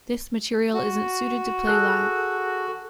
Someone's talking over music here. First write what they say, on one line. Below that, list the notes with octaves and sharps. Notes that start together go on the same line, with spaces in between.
This material isn't suited to play live.
F#4
G#4 A4 F#6